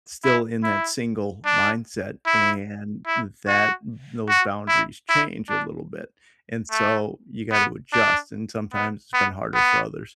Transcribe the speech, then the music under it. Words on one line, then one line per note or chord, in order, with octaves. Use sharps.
still in that single mindset, and that those boundaries change a little bit, and so you got to adjust, and sometimes it's been harder for others.
E4
E4
D4
E4
E4
F#4
F#4
E4
E4
D4
A3
B3
D4
B3
B3
B3